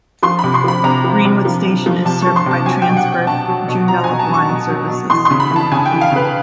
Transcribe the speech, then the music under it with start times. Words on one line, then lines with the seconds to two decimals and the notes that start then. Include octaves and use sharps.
Greenwood station is served by Transperth Joondalup line services.
0.23 F3 C6
0.39 C3 B5
0.54 C6
0.64 F3 B5
0.84 C3 A#5
1.04 F3
1.25 C3
1.45 F3
1.65 C3
1.86 F3
2.05 C3 A5
2.22 C#6
2.27 F3
2.36 C6
2.46 C3 A5
2.66 F#3 G#5
2.82 B2 G5
2.97 F#5
3.07 F#3 G5
3.27 B2 A5
3.48 F#3
3.68 B2
3.88 F#3 A#5
4.04 B2 G#5
4.19 A5
4.28 F#3
4.34 C#6
4.49 B2
4.69 F#3
4.90 B2
5.10 E3 C6
5.25 C6
5.31 C#3
5.40 B5
5.51 E3
5.56 A5
5.72 C#3 G#5
5.86 G5
5.91 E3
6.01 F5
6.12 C#3 B4